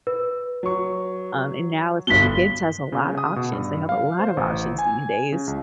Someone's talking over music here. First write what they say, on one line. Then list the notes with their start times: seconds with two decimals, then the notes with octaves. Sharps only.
um, and now, it's like, kids has a lot of options; they have a lot of options these days.
0.07 B4
0.63 F#3 C#6
2.07 G1 G2 B2 B6 G7
2.92 C#3
3.18 D#6
3.36 B2
3.52 G2
3.89 F5
4.19 C5
4.37 A1
4.79 G#5
5.32 C#3
5.47 C#2